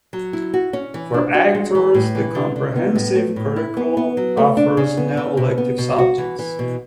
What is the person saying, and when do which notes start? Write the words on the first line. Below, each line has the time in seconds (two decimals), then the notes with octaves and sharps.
For actors, the comprehensive curriculum offers no elective subjects.
0.13 F#3
0.33 E4
0.54 F#4
0.73 C#4
0.94 E3
1.14 D4
1.34 F#4
1.55 G#3
1.75 E3
1.94 A2
2.15 E3
2.35 D3
2.56 D3
2.76 B3
2.95 A2
3.16 A3
3.36 A2
3.56 E4
3.77 B3
3.97 B3
4.17 F#3
4.37 A3
4.57 D4
4.77 C#3
4.97 B3
5.17 C#3
5.37 B2
5.58 B3
5.78 B2
5.98 F#4
6.18 E3
6.39 E3
6.59 B2